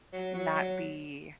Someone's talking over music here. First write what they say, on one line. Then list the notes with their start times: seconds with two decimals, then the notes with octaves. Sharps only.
not be
0.13 F#3
0.34 F#3
0.55 F#3